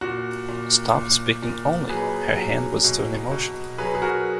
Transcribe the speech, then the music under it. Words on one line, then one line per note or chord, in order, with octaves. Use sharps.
Stopped speaking only; her hand was still in motion.
A#2 F#4
A#2
A#2
A#2
F#3 G#4 B4
F#3
B2
B2
F#3 G#4 B4
G#4
F#4 A#4